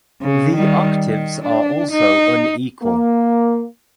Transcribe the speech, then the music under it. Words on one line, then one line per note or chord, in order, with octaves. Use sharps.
The octaves are also unequal.
C#3
D#3 G3
D#3
D4
D#4
A#3